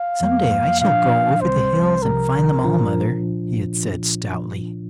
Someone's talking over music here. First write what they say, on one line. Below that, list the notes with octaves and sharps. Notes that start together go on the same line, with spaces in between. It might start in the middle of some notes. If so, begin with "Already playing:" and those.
"Some day I shall go over the hills and find them all, Mother," he had said stoutly.
Already playing: F5
F2 F3 A#3
A#2 F3 D4 F5
C2 C3 G3 C4 C5
C2 C3 F3 A#4
A#2 F3 D4 F4